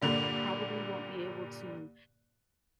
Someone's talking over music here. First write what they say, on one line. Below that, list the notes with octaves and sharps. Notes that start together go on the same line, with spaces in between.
probably won't be able to
G2 A#2 D3 G3